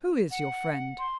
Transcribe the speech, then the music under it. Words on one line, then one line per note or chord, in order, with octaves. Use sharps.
"Who is your friend?"
F#5
C6